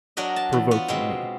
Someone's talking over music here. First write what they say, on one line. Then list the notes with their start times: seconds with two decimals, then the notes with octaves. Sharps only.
provoking me.
0.17 F#3 D4 F#4 A#4 D#5
0.36 A5
0.53 E2
0.71 B3 F4 F#4
0.88 B2 G#3 C4